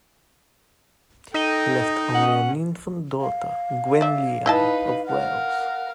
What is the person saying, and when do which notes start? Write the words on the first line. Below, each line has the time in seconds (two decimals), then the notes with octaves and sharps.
He left only an infant daughter, Gwenllian of Wales.
1.34 D#4 A4 D#5 G5
2.14 C#4 F#5
3.21 F5
4.01 D5 E5
4.46 D#4 E4 B4 D#5 A5
5.07 A#4 F5 F#5